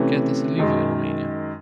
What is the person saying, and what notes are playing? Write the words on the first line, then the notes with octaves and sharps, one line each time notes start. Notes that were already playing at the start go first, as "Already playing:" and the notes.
Khat is illegal in Romania.
Already playing: C3 E3 A3 C#4
F#2 D#3 G#3